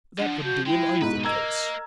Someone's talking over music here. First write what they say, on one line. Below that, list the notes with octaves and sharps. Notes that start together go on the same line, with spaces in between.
That would do in either case.'
D3 F3 D4 F#5
F#4 G6
G#3 E4 G5
G#2 B2 B4
A#3 A#4 D#5 A#5 E6 G#6